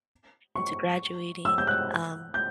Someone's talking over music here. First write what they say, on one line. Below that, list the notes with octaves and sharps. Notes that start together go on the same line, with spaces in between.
into graduating, um
C#6
E6
G6
F#6
G6